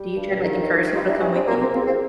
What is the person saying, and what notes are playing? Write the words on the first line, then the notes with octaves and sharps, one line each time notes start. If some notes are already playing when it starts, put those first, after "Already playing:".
do you try to, like, encourage people to come with you?
Already playing: G3
G2
D#3
G2
G3 D#4 F4
D4 E4
G2 C#4 D#4
C4 D4
C3 A#3 C4
A#3 C4
E2 A#3 C4
A#3 C4